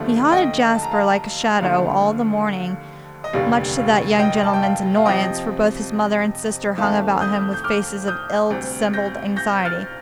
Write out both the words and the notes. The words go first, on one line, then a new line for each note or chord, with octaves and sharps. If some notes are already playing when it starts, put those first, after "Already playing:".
He haunted Jasper like a shadow all the morning, much to that young gentleman's annoyance, for both his mother and sister hung about him with faces of ill-dissembled anxiety.
Already playing: D#2 D3 F3 A3
D#5 G5
A5
A#5
F5 A5
D#2 D3 F3 A3 F5
D#5
F1 D#2 D3 G3 F5
F5
D#5 G5
A5
G5
F5
F5
F2 C3 F3 D#5 G5
F2 D#3 A3 F5 A5
D#6 G6
G6
D6 F6
D#6 G6
D2 C3 G3
G6 A#6
G6 A#6
F6 A6